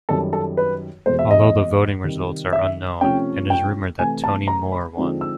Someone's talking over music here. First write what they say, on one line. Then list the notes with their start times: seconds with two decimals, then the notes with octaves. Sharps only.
Although the voting results are unknown, it is rumoured that Tony Moore won.
0.09 F#2 D#3 G3 A4
0.33 A4
0.57 B4
1.06 E2 B2 G#3 C5
1.19 E5
1.31 D#5
2.04 C3 D#3 G3
2.53 E5
3.01 C3 F3 A3 C#4 G5
3.50 G5
3.99 C3 E3 A3 G#5
4.24 A5
4.48 A#5
4.72 B5
4.97 D3 F3 G#3 C4 D#4
5.21 E6